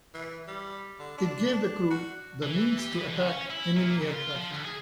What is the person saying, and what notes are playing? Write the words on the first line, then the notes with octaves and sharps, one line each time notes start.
It gave the crew the means to attack enemy aircraft.
E3
G3
D3
D4
D4
F#4
E3
G4
E3
D3
C#4
E4
A#2
C#3
F4
F3
D2
G#4